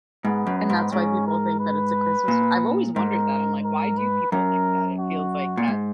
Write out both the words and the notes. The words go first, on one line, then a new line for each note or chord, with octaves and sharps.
And that's why people think that it's a Christmas I've always wondered that, I'm like, "Why do people think that it feels like that?"
G#2 B3
F#2
B3
G#2
G#2 C#4
A#4
B4
A#2
G#2 A#4
A#4
B4
F#2 A#4
F#4
A#2
G#2